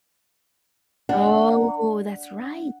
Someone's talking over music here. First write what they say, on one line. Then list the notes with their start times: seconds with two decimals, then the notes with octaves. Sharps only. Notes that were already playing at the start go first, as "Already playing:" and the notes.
Oh, that's right.
1.09 D4 F#5